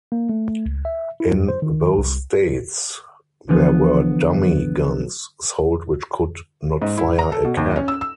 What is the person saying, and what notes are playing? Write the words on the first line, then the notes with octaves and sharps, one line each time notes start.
In those states, there were "dummy" guns sold which could not fire a cap.
A#3
A3
C#2
E5
E4
F2
C5
D#3
C2
D3 E3 F3 B3
G#2
E4
A#5
A4
B2
D#2
C#4
E6
E6